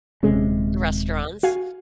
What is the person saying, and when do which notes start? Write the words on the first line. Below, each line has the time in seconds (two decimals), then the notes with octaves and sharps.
The restaurants.
0.23 D#1 C3 G#3 C#4 G#4
1.43 F#4 F5 G#5